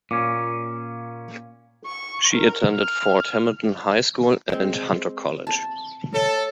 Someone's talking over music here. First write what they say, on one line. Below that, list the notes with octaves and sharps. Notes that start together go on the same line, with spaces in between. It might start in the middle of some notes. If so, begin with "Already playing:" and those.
She attended Fort Hamilton High School and Hunter College.
A#2 C#4 D6
C#6
A#4
F6
G#3 C4
A5
A3 A4 C#5